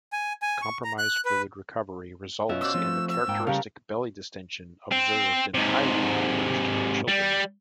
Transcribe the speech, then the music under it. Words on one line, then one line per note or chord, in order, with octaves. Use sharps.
Compromised fluid recovery results in the characteristic belly distension observed in highly malnourished children.
G#5
G#5
C#6
A#5
F#6
B4
F#2 B2 C#4 F4 E5
F4 F#4 C5 D5 D#5 E6
F3 A3 C4
E6
G#2 A3 A#3 G5
C#3 G3 G4 A4 A#4 F5
C4
G#2 C3
G3